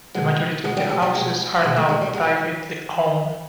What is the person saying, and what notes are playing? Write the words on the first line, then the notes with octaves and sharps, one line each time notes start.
The majority of the houses are now privately owned.
B2 G#3
B2 G#3
G3
G#3
G3
B2 G#3
B2 G#3
A3
G#3
G3
B2 G#3